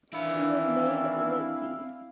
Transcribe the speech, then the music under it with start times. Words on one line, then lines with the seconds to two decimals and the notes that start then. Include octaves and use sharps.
He was made Litt.D.
0.13 D#3 E3 C4 D4 E4 F5 B5